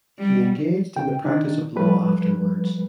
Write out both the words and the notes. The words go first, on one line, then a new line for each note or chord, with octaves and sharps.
He engaged in the practice of law afterwards.
G3
C#3 G5
D#3 D4 D#4
F3 G3 A3 B4